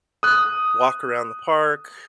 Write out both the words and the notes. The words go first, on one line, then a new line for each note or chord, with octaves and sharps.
walk around the park,
D#6 F#6